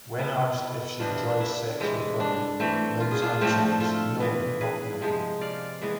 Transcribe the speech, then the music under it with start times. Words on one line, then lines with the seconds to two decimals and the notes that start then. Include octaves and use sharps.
When asked if she enjoys sex with women, Lynn's answer was: No, not really.
0.19 B2 B3 E4
0.99 C3 E3 B3 D4 F4
1.30 D4
1.40 E4
1.80 C3 E3 G#3
2.20 D4
2.60 E3 A3 C4
3.00 F4
3.11 G#4
3.22 D4 F4
3.41 A2 F3 A3 C4
3.80 F4 A4
4.20 E3 B3
4.61 G#4 B4
5.01 C3 F3 G#3
5.41 D5 F5
5.81 E3 G#3 B3